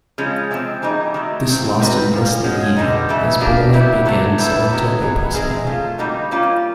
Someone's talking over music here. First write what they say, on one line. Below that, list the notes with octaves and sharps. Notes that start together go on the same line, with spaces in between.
This lasted less than a year, as Borland began selling Turbo Pascal.
C#3 F3 G#3 C#4
C3 F3 G#3 C4
E3 G3 A#3 D#4
D#3 F#3 A3
A#2 G3 C4
G3 C4 D#4 F#4 B4
A#2 F3 A#3
F3 G#3 C#4 F#4
D3 G3 B3 D#4
C#3 E3 A3
F3 A#3 D4 G4
B2 G3 C4 E4
D3 F#3 A3
G3 B3 E4 A4
D#3 F#3 B3 E4
F#3 B3 D#4 G#4 B4
D#3 G#3 C4 E4 G#4
A3 C#4 F4
D3 G3 A#3 D#4 F#4
G3 A#3 C#4 F4